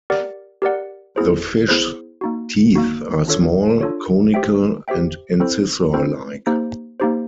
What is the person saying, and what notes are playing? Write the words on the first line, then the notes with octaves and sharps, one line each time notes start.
The fish's teeth are small, conical, and incisor-like.
G4 A#4 D5 F#5
G4 A#4 D5 F#5
B3 E4 G#4 C5
B3 E4 G#4 C5
A#3 D#4 F#4
A#3 D#4 F#4
D4 F4 A4 C#5
D4 F4 A4 C#5
G4 C5 E5 G5
G4 C5 E5 G5
C4 E4 A4 C5
C4 E4 A4 C5
A#3 D#4 G4 C5
A#3 D#4 G4 C5